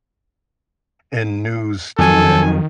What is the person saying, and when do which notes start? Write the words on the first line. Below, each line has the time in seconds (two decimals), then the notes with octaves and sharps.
in news today?
1.98 F2 D#3 F#3 A4 G#5